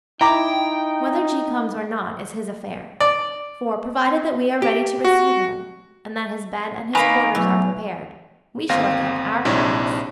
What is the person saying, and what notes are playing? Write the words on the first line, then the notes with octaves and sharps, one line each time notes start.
Whether G. comes or not is his affair; for, provided that we are ready to receive him, and that his bed and his quarters are prepared, we shall have kept our promise.
D#4 E4 G5 A#5 D6
D5
G4
F#4
D#3 A#3 B4 G#5 B5 F7
B1 E3 F#3 A3
G1 D#2 C4 F5 A#6
A#1 G#2 C3 D4 E4 C#5